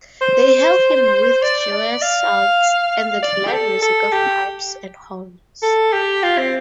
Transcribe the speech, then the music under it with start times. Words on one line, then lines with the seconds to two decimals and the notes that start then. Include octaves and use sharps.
They hail him with joyous shouts and the glad music of pipes and horns.
0.21 C5
1.42 D5
1.72 D5
2.02 F5
3.22 D5
3.47 G4
3.52 A4
3.82 A4
4.12 G4
5.62 A4
5.93 G4
6.23 F4
6.38 C4